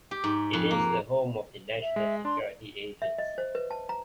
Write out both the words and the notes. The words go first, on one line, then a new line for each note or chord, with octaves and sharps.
It is the home of the National Security Agency.
G4
G#2
F2
A#3
E5
G#3
D4 C6
E5
D#5
C5
B4
A5
A#5